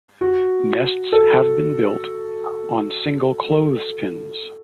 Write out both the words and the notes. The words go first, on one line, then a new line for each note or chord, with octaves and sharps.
Nests have been built on single clothespins.
F#4
A4